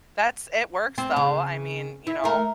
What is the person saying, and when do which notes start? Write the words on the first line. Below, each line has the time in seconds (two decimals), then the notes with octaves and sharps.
That's it works, though, I mean, you know,
0.98 C4
1.16 C#3
2.07 E4
2.24 A3 A#4